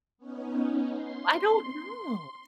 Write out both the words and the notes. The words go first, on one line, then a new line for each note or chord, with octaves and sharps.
I don't know,
B3 C#4 D#4
C6